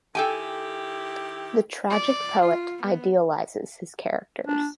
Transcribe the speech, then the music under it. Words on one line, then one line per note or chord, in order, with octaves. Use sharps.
The tragic poet idealizes his characters.
D#3 E4 G4 A4 G5 G#5
D5
F4
B3
D4